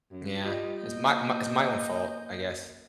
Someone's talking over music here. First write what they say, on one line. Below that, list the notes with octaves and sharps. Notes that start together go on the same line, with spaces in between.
Yeah, it's my my it's my own fault, I guess.
F#2
G3 F4 D#5
A#3 D#5 G6